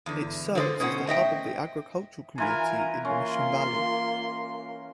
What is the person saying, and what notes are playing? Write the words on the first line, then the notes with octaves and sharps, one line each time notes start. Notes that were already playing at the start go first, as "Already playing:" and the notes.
It serves as the hub of the agricultural community in the Mission Valley.
E2 D3
D3 G#3 A3 A4 C5
B2 C#4 C5 F#5
A3 D#5 E5 G5
E3 F4 A#4 G#5 A#5
A#3 C#4 F4 C6